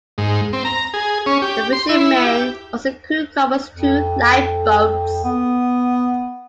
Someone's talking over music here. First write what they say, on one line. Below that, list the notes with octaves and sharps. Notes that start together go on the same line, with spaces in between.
The fishermen also crewed Cromer's two lifeboats.
G#2
C4
A#5
G#4
C#4
G4
C6
E4
G4
F2
B3